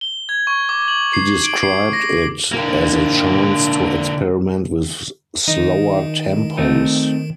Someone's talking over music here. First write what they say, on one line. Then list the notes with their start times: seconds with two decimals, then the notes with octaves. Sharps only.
He described it as "a chance to experiment with slower tempos".
0.01 G7
0.29 G#6
0.47 C#6
0.69 D6
0.88 F#7
1.13 C7
1.44 D7
1.63 C7
1.93 A#6
2.53 D3 A#3
5.48 D#3 D#4
6.57 A3 C4 D#4